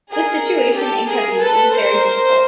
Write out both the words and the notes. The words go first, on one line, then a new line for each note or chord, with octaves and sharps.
The situation in Cadiz is very difficult.
G#4 A#4
G4 A4
G#4 A#4
A4 B4
A#4 C5